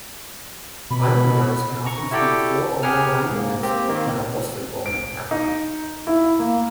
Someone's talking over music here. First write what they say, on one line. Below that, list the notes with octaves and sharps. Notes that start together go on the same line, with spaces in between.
Islanders can often speak four or more languages and are mostly Roman Catholic.
B2 B5
A#5 C#6
E4 F#4 G4 A4 D5 G5
G4 G#4 A#4 F#5 G#5 F6
G#2 A#3
A#3 C4 G4
D#3 A#3 C4
D7
D#4
E4
A#3